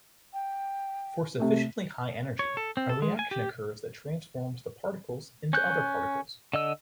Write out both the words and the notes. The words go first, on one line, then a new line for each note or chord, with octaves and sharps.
For sufficiently high energy, a reaction occurs that transforms the particles into other particles.
G5
C3 A3
C#5
A4
C4
A4
G#3
G#5
G4
C#4 F#6 G6
D3 D#5 E6